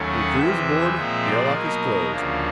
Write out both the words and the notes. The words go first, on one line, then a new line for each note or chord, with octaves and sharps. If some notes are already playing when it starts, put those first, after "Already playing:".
Your crew is aboard, the air lock is closed.
Already playing: D#2 D#3 F#3 A3 C#4
F#5
E2 C3 E3 E5
A#2 F3 G#3 C4
D5
B2 F#3 A#3 D#4 A#4
D2 C#3 F3 A#3 D4